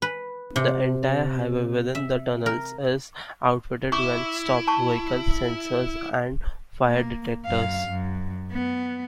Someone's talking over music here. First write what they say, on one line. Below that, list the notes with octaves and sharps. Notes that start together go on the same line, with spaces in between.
The entire highway within the tunnels is outfitted with stopped-vehicle sensors and fire detectors.
B4
C3
E5
A#4
E4 C#6 D6
A5 C#6
A#3
F#2 F5
F#2
B3